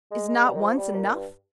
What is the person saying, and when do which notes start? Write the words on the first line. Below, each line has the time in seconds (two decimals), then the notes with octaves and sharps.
Is not once enough?
0.11 G#3
0.28 G#3
0.45 G3
0.55 D#3
0.61 F3
0.78 G3
0.95 A#2
1.13 G2